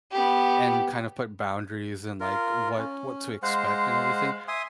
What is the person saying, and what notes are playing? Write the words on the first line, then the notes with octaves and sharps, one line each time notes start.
and kind of put boundaries and, like, what what to expect and everything,
B3 G4
F4 A#4
C#4
G#3 C5 F5 F#5
E5 G#5 C6 D#6